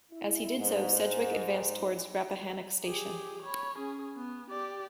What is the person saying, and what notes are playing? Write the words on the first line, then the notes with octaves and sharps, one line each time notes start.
As he did so, Sedgwick advanced toward Rappahannock Station.
E4
G#2
G4 G#4
C#5 B5
C#4 G#4
B3
G4 D5